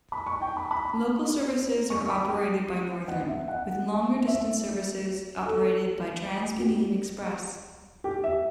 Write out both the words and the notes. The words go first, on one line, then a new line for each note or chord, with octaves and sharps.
Local services are operated by Northern with longer distance services operated by TransPennine Express.
B5
C#6
G5
B5
B5
C#6
B5
G5
F#5
E5
F#5
E5
A4
F#4
G4
G4
E5